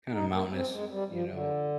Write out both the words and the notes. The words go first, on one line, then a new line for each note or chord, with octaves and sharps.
kinda mountainous, you know.
D#4
A#3
C4
G#3
G3
F3
D3